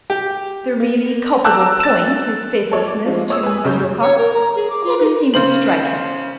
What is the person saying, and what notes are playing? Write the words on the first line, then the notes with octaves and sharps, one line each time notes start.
The really culpable point--his faithlessness to Mrs. Wilcox--never seemed to strike him.
G4
A#3
A5 A#5 D6 E6 F#6 G6
A6 E7
A4 C#5 D5
D6
F3 G#3 C4 F4
C#5 D#6 E6
B4 G#5
F#2 C#3 G3 C#5 G6
C#5
A#4
A#5
G#4
D6
F4
D#4
C#3 C5 F#7